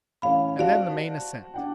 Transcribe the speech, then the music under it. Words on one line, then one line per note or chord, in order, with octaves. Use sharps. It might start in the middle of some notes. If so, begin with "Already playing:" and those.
And then the main ascent.
A1 C#4 F5 B5
F#4 C5 D5 F5 A5
D4 F#5 G5